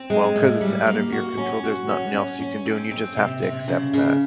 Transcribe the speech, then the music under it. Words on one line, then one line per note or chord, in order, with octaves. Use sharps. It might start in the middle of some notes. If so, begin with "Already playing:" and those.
"Well, 'cause it's out of your control, there's nothing else you can do, and you just have to accept that."
Already playing: C4
G#3
A2
G3
A#3
F#4
C#4
F#4
C#4
C#4
C#4
C4
C4
C3
C3
C#3
C#3